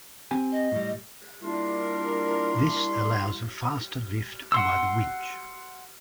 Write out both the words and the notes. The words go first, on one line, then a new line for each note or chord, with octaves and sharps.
This allows a faster lift by the winch.
C4 G4 G#5
D#5
A2 G3
G3 A#3 D4 E4 F4 A#4 C6
F#5 C6 E6